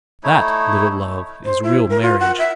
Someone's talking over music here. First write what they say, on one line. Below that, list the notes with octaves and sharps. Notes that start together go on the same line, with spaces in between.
That, little Love, is real marriage.
A3 D#4 E4 C#5
C5
E4
A#4
F4
F#5
E5